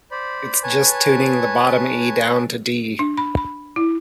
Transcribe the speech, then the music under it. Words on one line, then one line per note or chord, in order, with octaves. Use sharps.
It's just tuning the bottom E down to D!
C5 D5 B5
B4 C#5 G#5 A5
D4
B5
B5
E4